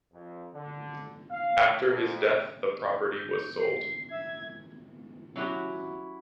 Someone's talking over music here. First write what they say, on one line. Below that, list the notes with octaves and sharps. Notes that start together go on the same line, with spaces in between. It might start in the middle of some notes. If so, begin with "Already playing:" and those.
After his death the property was sold.
F2
D3
F5
F2
G6
C7
E5 G#6
F#3 C#4 E4 F#4 G4 A#5